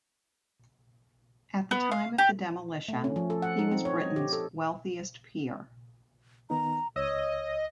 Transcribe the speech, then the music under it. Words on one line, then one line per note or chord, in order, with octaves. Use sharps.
At the time of the demolition, he was Britain's wealthiest peer.
B3
F5
G4
A3
C#4
F3
A4
F#5
D#4
C4
C#5
D#5
G4
A4
D#3 B3 D#4 A#5
C#2 C#5 D#5 E6